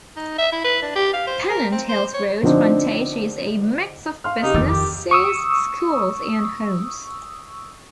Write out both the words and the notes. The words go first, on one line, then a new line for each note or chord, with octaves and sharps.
Pennant Hills Road frontage is a mix of businesses, schools and homes.
D#4
E5
E4
B4
D4
G4
F5
C5
A#4
C4
C5
C#5
D3 F3 C4 D4 D#4
F5 C6 F6
C#3 D#4 G4
F2 D#3 D6 E6 A6
G4
C#6 D#6 E6